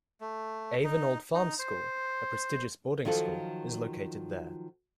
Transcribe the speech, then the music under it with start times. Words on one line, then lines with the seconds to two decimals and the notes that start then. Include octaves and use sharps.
Avon Old Farms School, a prestigious boarding school, is located there.
0.21 A3
0.84 D#4
1.34 D#4
1.59 C5
3.05 D#3 F3 F#3 F4 A4